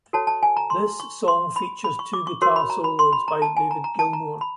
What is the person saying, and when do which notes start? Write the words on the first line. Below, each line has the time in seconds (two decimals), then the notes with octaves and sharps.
This song features two guitar solos by David Gilmour.
0.13 F#4 A4 C#5 A5
0.27 A5
0.43 G#5
0.57 A#5
0.70 C6
1.00 C#6
1.28 C6
1.56 B5
1.84 B5
1.99 C#6
2.13 D6
2.27 C#6
2.42 F#4 A#4 C#5 C6
2.56 B5
2.70 A#5
2.84 B5
2.99 C6
3.13 B5
3.28 A#5
3.42 A5
3.57 G#5
3.71 A#5
3.84 A#5
3.99 A5
4.13 A#5
4.41 B5